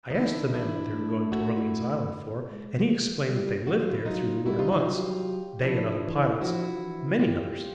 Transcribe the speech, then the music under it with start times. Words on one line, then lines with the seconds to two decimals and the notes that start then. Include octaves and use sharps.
I asked the man what they were going to Orleans Island for, and he explained that they lived there through the winter months--they and other pilots, many others.
0.11 D#4
0.15 D#3 D4 E4
0.47 D#4
0.54 E3 D4 E4
0.94 A3
1.32 E4 F#4
2.50 G#3
2.89 G#3
3.28 G3
3.67 F#3 F#4
3.79 F4
3.92 E4
4.05 F#3 D#4 F4
4.45 G3 E4 F#4
4.59 D#4 F4
4.72 D#4 F4
4.80 G#4
4.84 F#3 F4 G4
5.62 F3 D4 E4
6.02 E3
6.41 F3 E4 F#4
6.80 E3
7.19 F4 G4